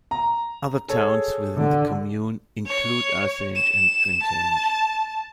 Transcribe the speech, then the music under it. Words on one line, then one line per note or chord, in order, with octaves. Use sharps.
Other towns within the commune include Ersange and Trintange.
A#5
G#4 A4 C#5
D3
C#5
E7
A5